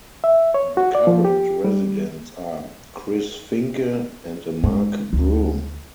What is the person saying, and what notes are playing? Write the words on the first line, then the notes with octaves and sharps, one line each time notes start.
The current residents are Chris Finke and Mark Broom.
E5
C#5
F#4
D5
F3
G4
G3
G#3
D2